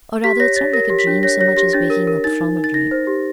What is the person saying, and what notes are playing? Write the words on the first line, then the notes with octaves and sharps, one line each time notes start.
Or rather it's not like a dream so much as waking up from a dream.
G4 B6
C#5 A#6
C#5 A6
A#4 A#6
G4
B6
D4
C#5 A#6
C#5 A#6
G4 A#6
D4 A6
A#4
A#4
D#4 A6
D#4
D#4
A6
D#4 A#6
C5
G4